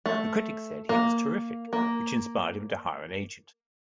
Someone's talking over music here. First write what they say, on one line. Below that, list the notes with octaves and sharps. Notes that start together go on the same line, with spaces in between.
A critic said he was terrific, which inspired him to hire an agent.
A3
A#3
A#3